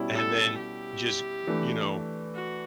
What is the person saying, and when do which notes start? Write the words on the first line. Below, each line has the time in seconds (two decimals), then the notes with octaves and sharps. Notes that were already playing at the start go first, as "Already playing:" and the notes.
and then just, you know,
Already playing: B2 G3 C#4 E4
0.14 A4
0.58 G4
1.47 E3 A3 D4
2.35 F#4